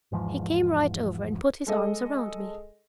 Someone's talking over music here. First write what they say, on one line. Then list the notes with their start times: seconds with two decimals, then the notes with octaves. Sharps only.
He came right over and put his arms around me.
0.12 G#1 E2 G#2 F3
1.67 G#3 A4 D#5